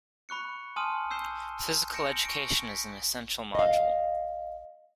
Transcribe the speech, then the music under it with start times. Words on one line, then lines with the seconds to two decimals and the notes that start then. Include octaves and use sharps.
Physical Education is an essential module.
0.29 B5 C#6 F#6 C#7
0.76 G#5 A5 C6 D#6 F6 D#7
1.11 E6 G6 C7 E7 G7
1.93 G6 A#6 C#7 D7 E7
2.25 C#6 D7
2.69 B6
3.55 D#5 F5